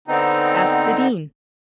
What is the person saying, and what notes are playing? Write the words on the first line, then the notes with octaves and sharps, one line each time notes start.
Ask the Dean.
D3 B3 C4 D#4